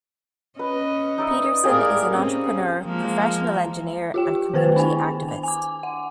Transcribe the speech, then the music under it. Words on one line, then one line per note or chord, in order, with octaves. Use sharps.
Peterson is an entrepreneur, professional engineer and community activist.
C#4 B4 D#5
D#4 D5 E5
A2 A#3 G4 G#4 A#4 D5
C4 C#4
F3 G#3 A#3
F4 G4 G5
D#3 B3 B4 C5 G5 G#5
D4 E4 G#5
G#5
G#5 D6
F#5